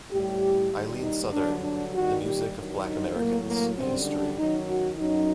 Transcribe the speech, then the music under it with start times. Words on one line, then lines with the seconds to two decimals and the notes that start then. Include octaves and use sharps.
Eileen Southern, "The Music of Black Americans: A History".
0.11 A2 G3 G4
0.72 D#2 D#3 G3
1.02 D#4
1.33 G2 D3 F#3 D4
1.63 D4
1.94 D#2 D#3 G3 F#4
2.25 G4
2.56 G2 D#3 F#3
2.86 D#4
3.16 A2 F#3 A#3
3.47 A#3
3.77 F#2 D3 G3 C4
4.07 D4
4.38 F#2 D#3 F#3 D#4
4.68 F#4
4.99 F#2 F#3 D#4